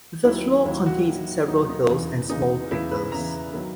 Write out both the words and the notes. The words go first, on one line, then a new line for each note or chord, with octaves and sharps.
The floor contains several hills and small craters.
D#2 D#3 F#3 E4
D#2 D#3 F#3 E4
F#4
D#2 D#3 F#3
D#2 D#3 F#3 D#4
D#4
E2 C#3 E3 B3
E2 C#3 E3 B3 D#4
E2 C#3 E3 B3 E4
B4
E2 C#3 E3 B3 A#5
D#3 F#3 B3